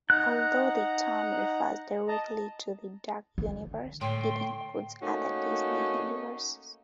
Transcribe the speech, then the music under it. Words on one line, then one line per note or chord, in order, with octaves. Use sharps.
Although the term refers directly to the "Duck universe", it includes other Disney universes.
D#4 F#5 A#5 F#6
D#5 A5 A#5
D3 D#3
A2 G5 C6
A3 A#3 C#4 D#4 F#4